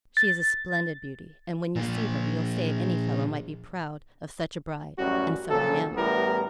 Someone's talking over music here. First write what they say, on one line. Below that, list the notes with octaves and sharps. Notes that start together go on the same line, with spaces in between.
She is a splendid beauty, and when you see her you'll say any fellow might be proud of such a bride; and so I am.
A6
A#2 F3
A1 F#2 G3 C#4 F#4
A#2 C#3 F3 F#3 A4
A1 E2 A2 G3 B3 A#4